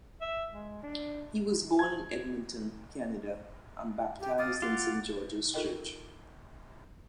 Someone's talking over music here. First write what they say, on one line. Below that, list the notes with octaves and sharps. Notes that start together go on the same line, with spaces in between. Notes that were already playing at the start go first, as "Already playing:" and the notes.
He was born in Edmonton, Canada and baptized in Saint George's church.
E5
G#3
D4
G#6
G4
F5 D6 D#6 A6
F4 F#5 D6
D#4 F4 A4 A#4 D#5 G5